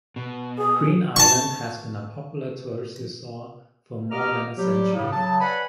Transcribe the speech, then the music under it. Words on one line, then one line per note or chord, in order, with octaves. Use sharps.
Green Island has been a popular tourist resort for more than a century.
B2
G#4 D#6
A5 C#6
G4 D#5 A#5 D6 F6
F#3 G3 G4
A2 C#3
C#3 F#3 A5
B4 C#5 D5 F#5 G#5 B5